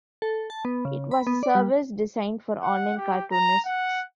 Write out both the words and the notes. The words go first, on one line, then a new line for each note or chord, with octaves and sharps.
It was a service designed for online cartoonists.
A4
A5
B3
C#3
B5
B3
D5
G3
F#5
G4
A#5
F#5